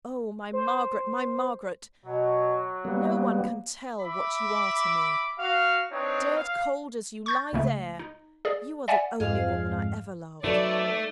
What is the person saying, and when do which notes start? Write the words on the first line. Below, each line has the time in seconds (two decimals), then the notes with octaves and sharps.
'Oh, my Margaret--my Margaret! no one can tell what you are to me! Dead--cold as you lie there, you are the only woman I ever loved!
0.53 C5
2.05 B2 F#3
2.85 G3 A#3 B3
4.00 E5 B5 D6
5.38 F#4 F5
5.91 C4 D4 D#4 B4 C#5
6.36 F5
7.26 C#6 G6 A6
7.53 C#2 C#3 A3
7.99 D#4
8.45 G#4 D5
8.88 D5 E5 F#5 G#5
9.20 F2 G#2 G#4 D5 F5
10.44 F#3 A3 D#4 A4 B4 D5